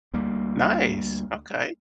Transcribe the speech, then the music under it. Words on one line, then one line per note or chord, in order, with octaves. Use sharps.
Nice, okay.
D2 G3 A#3